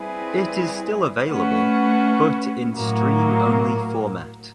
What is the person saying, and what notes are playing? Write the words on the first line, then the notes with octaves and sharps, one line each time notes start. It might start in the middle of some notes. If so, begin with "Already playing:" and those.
It is still available, but in stream-only format.
Already playing: G3 C4 E4 G#4 B4
A3 C#4 F#4 B4
A2 F#3 A#3